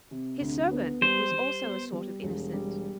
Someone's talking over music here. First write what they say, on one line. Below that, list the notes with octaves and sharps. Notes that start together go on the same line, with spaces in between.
His servant was also a sort of innocent.
C3
D2
B3
G3 C5
G3
B3
G3
E1
G3